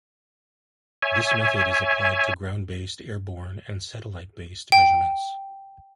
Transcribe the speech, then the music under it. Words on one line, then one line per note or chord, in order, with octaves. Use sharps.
This method is applied to ground-based, air-borne and satellite based measurements.
C#5 E5 G#5
G5